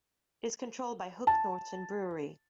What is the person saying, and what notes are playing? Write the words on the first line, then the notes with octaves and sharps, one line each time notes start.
It is controlled by the Hook Norton Brewery.
A5